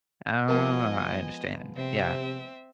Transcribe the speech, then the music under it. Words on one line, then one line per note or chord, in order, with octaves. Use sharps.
Oh, I understand. Yeah.
F3 G#3 B3 A#4 D#5 G#5 A5
C3 C4 E5